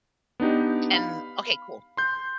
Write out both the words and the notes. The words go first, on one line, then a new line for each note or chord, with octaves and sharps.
and okay, cool
B3 D4 D#4 G4
F5 B5
C6 G6